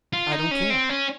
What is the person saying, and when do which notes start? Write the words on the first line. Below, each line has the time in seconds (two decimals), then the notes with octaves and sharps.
I don't care!
0.13 F4
0.32 D#4
0.51 C#4
0.70 C4
0.89 C#4